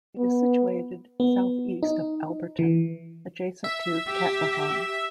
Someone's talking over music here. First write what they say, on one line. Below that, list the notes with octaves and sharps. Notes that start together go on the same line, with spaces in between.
It is situated south east of Alberton, adjacent to Katlehong.
B3
B3
D#4
E3
E5
G4